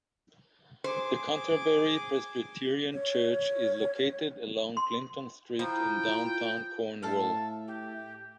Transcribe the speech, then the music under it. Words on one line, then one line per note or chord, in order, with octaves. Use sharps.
The "Canterbury Presbyterian Church" is located along Clinton Street in downtown Cornwall.
G#4 C5 D6
C#5
C6
F3 E4 G5 A#5 B5
A2 A4 E5 F5 A5
G4